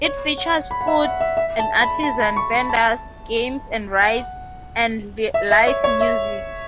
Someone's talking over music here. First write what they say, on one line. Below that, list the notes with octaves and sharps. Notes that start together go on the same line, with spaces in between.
It features food and artisan vendors, games and rides, and live music.
C#5
F#5
B5
F#5
E5
F#5
E5
E5
A5
B5
A5
B5
C#6
B5
A5
F#5
E5
E5
C#5
C#5
E5